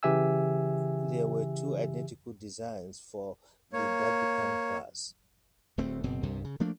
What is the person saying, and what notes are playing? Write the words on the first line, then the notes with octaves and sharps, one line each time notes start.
There were two identical designs for the Dagupan class.
C#3 E3 G4 E5 G#5 E6
A#3 C#5
D1 D2 A3 C4
F#1 B2 C4
C2 G2 C3
C#3
F3 A3 A#3 D4